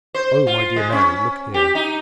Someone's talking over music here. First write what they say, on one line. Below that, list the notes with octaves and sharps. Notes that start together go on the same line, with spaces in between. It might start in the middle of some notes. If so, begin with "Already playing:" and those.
Oh, my dear Mary, look here!
C5
F4
G#3
C#4
G4
D#4